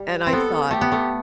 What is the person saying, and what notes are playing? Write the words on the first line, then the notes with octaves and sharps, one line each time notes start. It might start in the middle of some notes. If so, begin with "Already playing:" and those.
And I thought,
Already playing: G3
C4
B3 A4
A3 G4
B3
A3